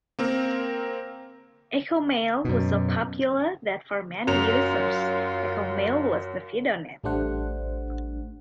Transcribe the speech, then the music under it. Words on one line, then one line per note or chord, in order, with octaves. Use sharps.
Echomail was so popular that for many users, Echomail "was" the FidoNet.
A#3 C4 A#4
F#2 B2
F#2 F4 F7
A1 G3 A3 D4 C5 F#5